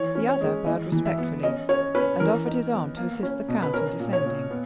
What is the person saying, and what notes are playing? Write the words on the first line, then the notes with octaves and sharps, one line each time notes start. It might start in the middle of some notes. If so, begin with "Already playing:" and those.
The other bowed respectfully, and offered his arm to assist the count in descending.
Already playing: E3 C#5
C#4
C#5
G#3
E3 D#5
E3
E5
B3
C#4 D#5
C#4 C#5
C#4 B4
E3 A#4
D#4
B3
A#3
C#4
B2
B4
C#4 A#4
A#2
C#5
A#2
B3